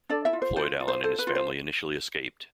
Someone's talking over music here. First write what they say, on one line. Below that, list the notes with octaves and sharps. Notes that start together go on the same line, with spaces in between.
Floyd Allen and his family initially escaped.
D4 A4 D5
E4 E5
F4
C5
F4 C5
F4
C5
A4 C5
B4
F4
C5